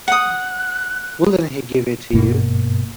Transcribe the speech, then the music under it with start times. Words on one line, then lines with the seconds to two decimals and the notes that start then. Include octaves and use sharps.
Wouldn't he give it to you?
0.08 F#5 D#6 F#6
2.13 G#1 G2 B2 A#3